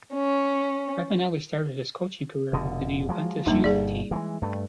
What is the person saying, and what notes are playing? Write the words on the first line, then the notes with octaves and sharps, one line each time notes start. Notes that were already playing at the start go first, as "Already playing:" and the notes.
Ravanelli started his coaching career with the Juventus youth team.
C#4
F1 B2 D3
F3 F#3 G#3
D#1 F#2 G3 A#3 D4 D#4
G1 B2 G#4 D5
E3 G3 G#3
G2 A3